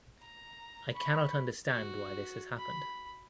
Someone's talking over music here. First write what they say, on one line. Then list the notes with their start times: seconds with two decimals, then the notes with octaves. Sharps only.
I cannot understand why this has happened.
0.21 A#5
0.93 B5 C#6
1.68 F#4
2.58 B5